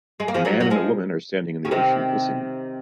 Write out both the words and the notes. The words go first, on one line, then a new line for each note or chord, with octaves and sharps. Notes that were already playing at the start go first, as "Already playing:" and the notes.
A man and a woman are standing in the ocean kissing.
G#3
A#3
F3 G#3
F#3 A#3
F#3
F3 G#3
C#3
C3 D#3